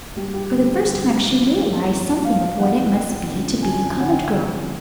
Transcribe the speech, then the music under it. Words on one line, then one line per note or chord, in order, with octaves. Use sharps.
For the first time she realized something of what it must be to be a colored girl.
G2 G4
G4
D3 F3 C5
G2
D3 F3
G#2
E3 G#3 B3
G#2 F5
E3 G#3 B3 F#5
F2 G5
D3 F3 G#3 C#4
F2 G#5
G#5
D3 F3 G#3 C#4 F#5
G5
C2